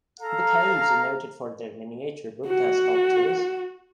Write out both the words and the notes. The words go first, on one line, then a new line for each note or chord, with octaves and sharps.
The caves are noted for their miniature Buddha sculptures.
A4 F5 A#5
F#4